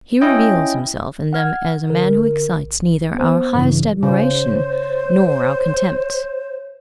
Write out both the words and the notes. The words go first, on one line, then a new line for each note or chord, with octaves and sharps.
He reveals himself in them as a man who excites neither our highest admiration nor our contempt.
C#4 E4 D#5 G5
F#5 F6 G#6
D3 A#4
A#1
B3 C5
G2 C#3 E3
C#3 C5 C#5